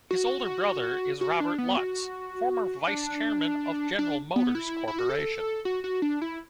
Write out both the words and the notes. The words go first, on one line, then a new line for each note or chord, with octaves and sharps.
His older brother is Robert Lutz, former Vice-Chairman of General Motors Corporation.
F#4
F#4
D4
B3
F#4
D4
D4
B3
E4
E4
F#4
A4
F#4
F#4
D4
E4